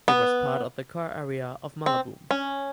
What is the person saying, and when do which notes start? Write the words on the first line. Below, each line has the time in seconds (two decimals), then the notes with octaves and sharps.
It was part of the core area of Mallabhum.
0.08 B3
1.86 C4
2.31 C#4